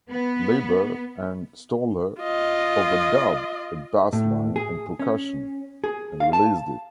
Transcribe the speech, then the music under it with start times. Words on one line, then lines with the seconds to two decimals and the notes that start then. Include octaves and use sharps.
Leiber and Stoller overdubbed a bassline and percussion, and released it.
0.11 B3
2.20 F4 D#5
4.13 A2
4.56 G#4
4.99 C#4
5.84 G#4
6.20 F5
6.33 A5